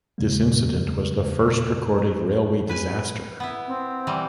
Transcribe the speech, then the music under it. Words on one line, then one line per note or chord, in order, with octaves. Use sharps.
This incident was the first recorded railway disaster.
E2 C#3 G3 G#3 A#3
B4 G#5
B3 E4
C4
E3 G3